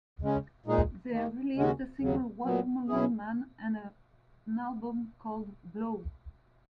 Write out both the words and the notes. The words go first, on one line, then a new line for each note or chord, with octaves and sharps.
They released a single "Watermelon Man" and an album called "Blow!".
C#3 G#3 C#4
A#2 G#3 D#4 G#4
D#2 D#3 A#3
D#2 C#3 G#3 C#4 F#4
D#2 C#3 F#3
A#2 F#3 B3
B2 F#3 C#4 E4 G#4